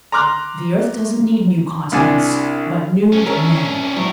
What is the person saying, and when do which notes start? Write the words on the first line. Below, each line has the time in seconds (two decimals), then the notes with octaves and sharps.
"The earth doesn't need new continents, but new men!"
0.12 A#5 C6 D6 F6 F#6
1.92 C2 D4 G#5
3.13 C#4 D4
3.26 A#4 C#5 E5
3.96 F#3 E4 C#5